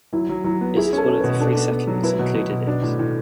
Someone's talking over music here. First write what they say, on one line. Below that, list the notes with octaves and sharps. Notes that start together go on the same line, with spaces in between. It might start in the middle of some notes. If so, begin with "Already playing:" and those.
It is one of three settlements included in it.
F#3 E4
F#3
F#3 E4
B3
E4 G#4
C#4 A4
C#4
B2 B4
D4 A4
B3
B3
F#3
E4 B4
B2
B2
B2
D4
A2
A2